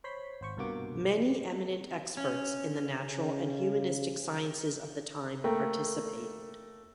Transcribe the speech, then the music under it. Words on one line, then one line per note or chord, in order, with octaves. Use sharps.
Many eminent experts in the natural and humanistic sciences of the time participated.
C5 C#5 B5 C6 B6
G#1 C5 C#6
C2 G2 B2 A#3 F#4 D6
C#4
C#3
A3 A#3 G5 A#5